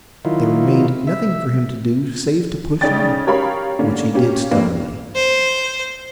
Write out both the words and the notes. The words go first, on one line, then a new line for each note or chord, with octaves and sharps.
There remained nothing for him to do save to push on, which he did stubbornly.
D#3 F#3 E4 F4
E5
C#3 C#4 D#4 D5 G5 A6
G4 A#4 C#5 F5 B5
D3 A#3 C#4
A#3 C#4 G4
F1 A#3 D4 B4
C5